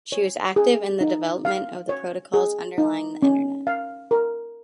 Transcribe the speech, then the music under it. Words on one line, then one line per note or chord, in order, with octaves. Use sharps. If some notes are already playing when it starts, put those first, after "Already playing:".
She was active in the development of the protocols underlying the Internet.
C#5
G#4
D#4
F5
C#5
G#4
D#4
C#4
F5
A#4